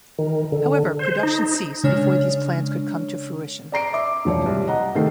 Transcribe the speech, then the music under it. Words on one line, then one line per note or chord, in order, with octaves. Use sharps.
However, production ceased before these plans could come to fruition.
D#3
D3
C5
D#4
C#3 G#3 D4 C#5 F6
D5 A#5 C7 D7
E5 D6
E1 F3 C#5 D5
C2
D#5 F#5 A#5
C3 D#3 A3 C7